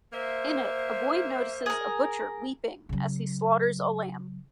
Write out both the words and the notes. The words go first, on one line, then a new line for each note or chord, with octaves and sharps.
In it a boy notices a butcher weeping as he slaughters a lamb.
A#3 C5 E5
G#4 A#4
C#3 F#3